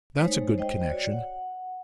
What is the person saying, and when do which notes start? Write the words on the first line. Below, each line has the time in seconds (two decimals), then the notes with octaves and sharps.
'That's a good connexion!
0.19 G#3 A3 D#4 C5 C#5
0.58 C5 D#5 G5
0.88 F#4 C#5 D5
1.12 F#5